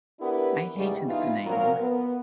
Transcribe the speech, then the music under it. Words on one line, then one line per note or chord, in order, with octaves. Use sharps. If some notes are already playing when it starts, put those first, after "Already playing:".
I hated the name.
B3 D4 E4 G4 A#4 B4
E2 G#2 C#3 G3 G#3 G4
E3 B3 D#4 F4
A#2 F3 F#3 F4 A#4
B3